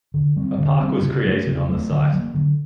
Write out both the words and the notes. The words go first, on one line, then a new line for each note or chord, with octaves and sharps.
A park was created on the site.
D3
G3 C4
D3
G3 C4
C#3
F#3 A3
C#3
F#3 A3
D3
F#3 A#3
D3